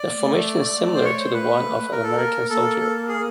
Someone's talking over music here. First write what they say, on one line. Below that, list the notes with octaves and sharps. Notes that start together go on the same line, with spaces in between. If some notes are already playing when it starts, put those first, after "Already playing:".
The formation is similar to the one of an American soldier.
Already playing: D5
A#3
A3
D5
A3
C5
C#5
C5
A3 B4
A#3
A3
A#3
A3
A#3 A#4
A4
A#4
A#3 A4
A4
G#4